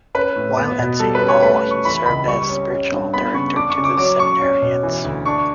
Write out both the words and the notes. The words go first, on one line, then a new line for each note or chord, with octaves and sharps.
While at Saint Paul, he served as spiritual director to the seminarians.
C#4 B4
A2
B3
B2
G3 A4
B4
C#4
C#5
A3 B4
C#4
C#6
E3 B5
C#2 B5
G3 C#6
C#4
C#4
G2
B3 B5
C#3 C#6
D4 D6
C#6
C#3
D6
F#3 D6
C#4 C#6
C#4
B2
E3
D2
D4 C#6